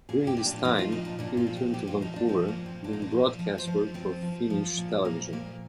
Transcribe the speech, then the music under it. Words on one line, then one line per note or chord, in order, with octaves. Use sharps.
During this time, he returned to Vancouver, doing broadcast work for Finnish television.
A#2 G#4
G4
A#2
D4
F3 D#4
F4
A#2 D#4
D4
A#2 D4
F4
F3
G4
A#2 G4
F4
F3 D#4
D4
F3 C4
A#3
A#2
C4
A#2 D4
D#4
D4
F3
F3
C5
F3
F3 C4
F3
F3
A#2
F3 A#3
A#2 A#3